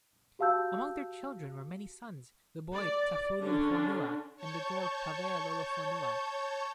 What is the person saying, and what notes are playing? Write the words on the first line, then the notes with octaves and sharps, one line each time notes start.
Among their children were many sons', the boy Taufulifonua and the girl Havea Lolofonua.
F#4 G4 F5 A5 E6 G6
D5
D3 C#4 D4
C#5 A5 C#6 G6